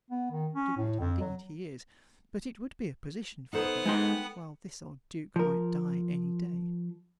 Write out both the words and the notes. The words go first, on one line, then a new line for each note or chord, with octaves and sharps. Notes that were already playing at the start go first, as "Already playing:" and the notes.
Stupid, indeed, he is; but it would be a position for her, while this old duke might die any day.
B3
D#3
C#4
A2
F2
F#3
B3 D#4 A4 C5 F#5
G#3 D#4 G5 C6
F3 A#4